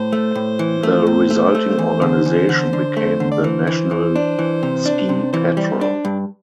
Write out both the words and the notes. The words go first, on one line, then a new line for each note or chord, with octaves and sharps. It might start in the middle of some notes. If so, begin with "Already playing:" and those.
The resulting organization became the National Ski Patrol.
Already playing: A2 C5
A3
A2
E3
A3
A2
A3
A3
E2
D3
E2
D3
D3
A3
D3
D5
E3 C5
E3
E3
D4
E3
C3
D4
C3
E3 C5
G3
D4
G2